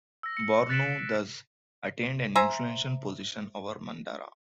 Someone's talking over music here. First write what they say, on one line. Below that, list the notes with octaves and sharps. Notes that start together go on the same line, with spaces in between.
Bornu thus attained an influential position over Mandara.
E6 A#6
C#7
F#6 A6 B6 C#7 D7 E7
C5 E5 G#5 A#5